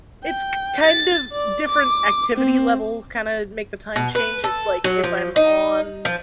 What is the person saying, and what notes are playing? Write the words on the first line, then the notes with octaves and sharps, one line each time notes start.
It's k kind of different activity levels kinda make the time change. It's, like, if I'm on
G5
A6
D5
D6
C4
B2
B4
A4
F#3
F3
D#4
F3